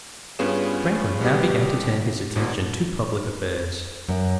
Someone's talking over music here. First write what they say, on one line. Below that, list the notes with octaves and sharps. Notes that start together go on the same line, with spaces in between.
Franklin now began to turn his attention to public affairs.
G2 B3 C#4 F4 G#4 E7
C2 B2 G3 B3 G4
G#1 G#2 B2
F#2